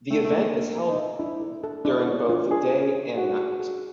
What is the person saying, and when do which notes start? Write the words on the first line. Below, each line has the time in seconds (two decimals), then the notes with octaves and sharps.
The event is held during both the day and night.
0.10 A3 G5
0.24 A3
0.32 A#3 E5
0.53 A#3 A#5
0.75 A#5
0.87 D#4
0.97 E5
1.19 D4 E4
1.42 A4
1.64 A4
1.85 D4 E4
2.06 C#5
2.29 F4
2.51 D4 G#4
2.73 G#4
2.95 G#4
3.16 F#4 G#4
3.38 G#4
3.60 G#4